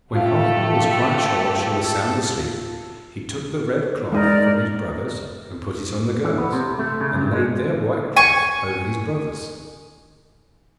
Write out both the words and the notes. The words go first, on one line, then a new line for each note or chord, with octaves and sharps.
When Halfman was quite sure she was sound asleep, he took the red cloth from his brothers and put it on the girls, and laid their white cloth over his brothers.
A2 A3 F4 G4 A4 F5
G#3 D#4 A#4 D5
E3
B3
C3
A3
C#3
G2
G#3
G#5 C#6